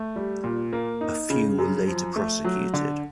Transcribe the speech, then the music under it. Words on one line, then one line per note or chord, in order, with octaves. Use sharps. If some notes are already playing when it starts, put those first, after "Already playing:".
A few were later prosecuted.
Already playing: A3
G3
A#2
A#3
D#4
C#3
F#2
F3
A3
F#3
D3